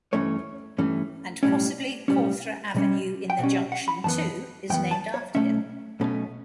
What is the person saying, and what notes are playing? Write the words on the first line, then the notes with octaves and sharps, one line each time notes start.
And possibly Cawthra Avenue in the Junction too, is named after him.
G2 E3 A3 C#4 C#5
G2 E3 A3 C#4
B1 A2 G3 C#4 D5
B1 A2 G3 C#4
B2 G3 C#4
G5
B2 G3 C#4 F#5
E5
F#5
B5
F#2 E3 B3 A5
F#2 E3 B3 G5
A5
C#5
B1 B2 A3 C#4 E5
B1 B2 A3 C#4